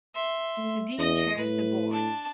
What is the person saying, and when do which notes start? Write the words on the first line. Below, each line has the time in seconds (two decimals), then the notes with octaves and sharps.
The Dean chairs the Board.
0.14 E5 C6
0.58 A3
0.98 E2 D#5 A#6
1.37 A2 B4
1.91 D4 A5